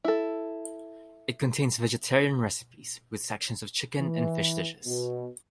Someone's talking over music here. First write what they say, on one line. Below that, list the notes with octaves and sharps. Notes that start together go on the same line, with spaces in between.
It contains vegetarian recipes with sections of chicken and fish dishes.
E4 A4
E3
B2